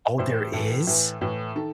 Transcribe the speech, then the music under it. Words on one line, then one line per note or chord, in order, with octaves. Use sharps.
Oh, there is?
A2 E3 C5
A2 E3 A4
A2 E3
A2 E3
D#3 A4